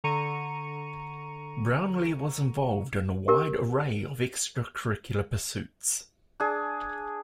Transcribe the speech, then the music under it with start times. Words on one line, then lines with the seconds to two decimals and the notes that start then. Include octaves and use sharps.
Brownlee was involved in a wide array of extracurricular pursuits.
0.04 D3 A#5 C#6 C#7 D#7
3.28 G4 A#4
6.40 D4 G#4